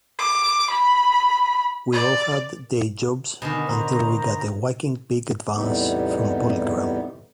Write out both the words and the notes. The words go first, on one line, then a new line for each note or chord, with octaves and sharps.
We all had day jobs until we got a whacking big advance from Polygram.
D6
B5
D5
B2 D3 D#3
C5 A#5
E2 A2 C3 G3 B3 D#4